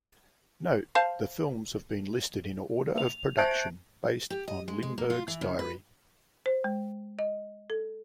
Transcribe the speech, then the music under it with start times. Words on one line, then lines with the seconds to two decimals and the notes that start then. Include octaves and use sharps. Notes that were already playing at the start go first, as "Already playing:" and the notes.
Note: The films have been listed in order of production, based on Lindberg's diary.
0.95 C5 F5 A5
2.98 F7
3.38 C5 E5 A5 F#6 G6 D7
4.30 G4
4.48 D#5
4.68 G#3
4.82 G#3
4.98 A#3
5.10 F4
5.28 E3
5.41 C#3
5.59 B4
6.46 C5
6.64 G#3
7.19 D#5
7.70 A4